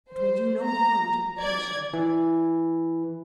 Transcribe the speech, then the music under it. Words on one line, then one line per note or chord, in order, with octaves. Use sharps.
It will do no harm to be patient.
C5
A#5
D5 G#6
E3